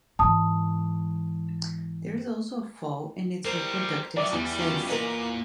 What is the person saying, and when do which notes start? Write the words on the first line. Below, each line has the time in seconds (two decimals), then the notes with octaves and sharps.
There is also a fall in its reproductive success.
0.19 G#2 E3 A5 D#6
3.45 G3 C4 A#4 C5
4.17 D#3 F#3 D5 E5
4.33 E2 G3
4.58 F#3 C#4 F4
4.88 A#2 A#4 B4 D#5